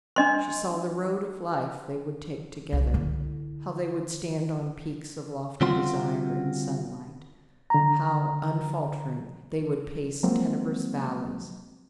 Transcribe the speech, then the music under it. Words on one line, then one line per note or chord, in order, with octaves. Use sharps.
She saw the road of life they would take together; how they would stand on peaks of lofty desire, in sunlight; how, unfaltering, they would pace tenebrous valleys.
D4 D#5 C6
C2
D3 E4
D3 G3 C4 F4 F#4 C6
D3 A#5
F3 F#3 G#3 A#3 C4 F#4